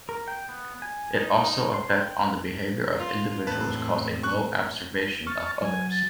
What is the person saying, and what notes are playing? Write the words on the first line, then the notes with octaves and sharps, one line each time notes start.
It also affect on the behavior of individuals cause a low abservation of others.
A#4
G5
B3
G#5
D#4
C6
G5
F4
E2 A2 C4 B4 A5
C#6 F#6
C#6 F6 A6
F#3 G#5
A6